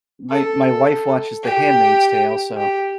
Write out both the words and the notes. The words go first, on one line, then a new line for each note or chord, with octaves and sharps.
My my wife watches The Handmaid's Tale, so
A4
G4
G4